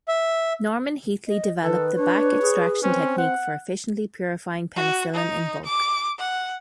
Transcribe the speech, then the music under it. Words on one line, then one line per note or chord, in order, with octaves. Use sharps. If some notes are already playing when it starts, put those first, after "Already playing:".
Norman Heatley developed the back extraction technique for efficiently purifying penicillin in bulk.
E5
D#5
D#3 A4 B4
D4 C#5
G#4
C4 C#4
F#5
F#4
D#4
D6
F#5